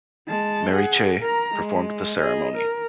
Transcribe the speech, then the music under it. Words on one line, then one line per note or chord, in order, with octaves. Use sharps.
Mary Cheh performed the ceremony.
G#3 A5
G#4 F#5
A#4 A#5
G#3
G#4 D#5
A#4